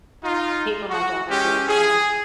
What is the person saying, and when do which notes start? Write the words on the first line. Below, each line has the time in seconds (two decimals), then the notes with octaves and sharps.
paper my daughter did, and
0.24 D#4 F4
0.90 F#4
1.30 G#3 C#4 G4
1.68 G#4